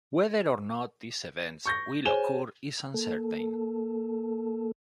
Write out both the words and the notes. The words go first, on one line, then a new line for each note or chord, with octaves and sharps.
Whether or not these events will occur is uncertain.
C#6 G6 A#6
G#4 C5 C#5 G#5 E7 G7
A#3 A4